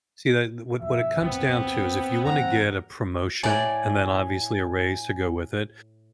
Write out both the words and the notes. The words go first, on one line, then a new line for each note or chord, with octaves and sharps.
See, eh, what what it comes down to is if you wanna get a promotion and then obviously a raise to go with it,
G2 B2 F3 E5
G#1 C#2 F#2 B3 C4
G2 E3 A#3 F#5 A#5
A2 D5 G#5